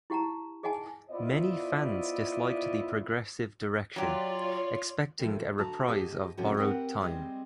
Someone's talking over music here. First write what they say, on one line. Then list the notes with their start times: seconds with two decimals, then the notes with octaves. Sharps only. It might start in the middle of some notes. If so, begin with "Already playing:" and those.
Many fans disliked the progressive direction, expecting a reprise of "Borrowed Time".
0.10 E4 G4 F#5 A5 A#5
0.63 G#4 D#5 F#5 G#5 A5
1.10 B3 E4 F4 C5 D5 D#5
3.96 F#3 F4 G4 C#5 D5
5.19 A2 D#3 F3
5.58 D3 F#4 A5 A#5
5.87 G#2 G4 D#5 G#5 A5
6.37 A2 C3 F3 C#4 F#4
6.57 C4 G4 A#4 B4 F#5
7.00 G3 G#3 C4 D#5